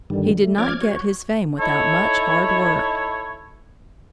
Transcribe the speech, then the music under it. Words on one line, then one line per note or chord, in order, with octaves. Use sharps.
He did not get his fame without much hard work.
G2 D3 D#3 G3
A3
F3 C#4 D5 D6 F6 G#6
F#4 C#5
D#4 E4 A4 C#5